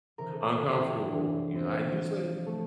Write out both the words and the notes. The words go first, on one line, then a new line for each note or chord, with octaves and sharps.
uncomfortable. You know, I usually
C3 E3 A#4
A4
G4
E4
D4
A2 E3
C4
C3 F3
A3